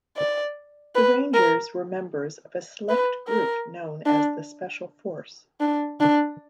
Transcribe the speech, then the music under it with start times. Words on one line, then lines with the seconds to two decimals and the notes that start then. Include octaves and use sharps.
The Rangers were members of a select group known as the Special Force.
0.17 D5
0.95 B4
1.34 A#4
2.89 B4
3.28 A#4
4.05 D4
5.60 D4
6.00 D4